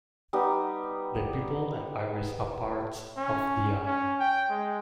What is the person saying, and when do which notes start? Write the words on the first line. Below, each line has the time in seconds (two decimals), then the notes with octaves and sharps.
The pupil and iris are parts of the eye.
0.33 G3 B3 D#4
3.17 C#4
3.86 C#4
4.19 G5
4.50 G#3